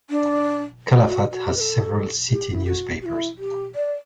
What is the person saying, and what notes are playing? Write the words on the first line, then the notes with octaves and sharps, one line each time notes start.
Calafat has several city newspapers.
D4
F#4
F#4
G4
B4
A4
G4
E4
G4
F#4
F#4
E4
G4
D5